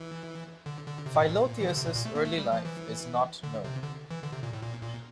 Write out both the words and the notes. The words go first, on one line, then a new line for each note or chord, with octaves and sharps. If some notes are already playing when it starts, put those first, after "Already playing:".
Philotheus' early life is not known.
Already playing: E3
D3
D3
C3
A#2
A2
A#2
E3
D3
C3
A#2
A#2
A3
A#3
A3
G3
F3
E3
D3
C3
D3
E3
D3
C3
A#2
A2
A#2
A#2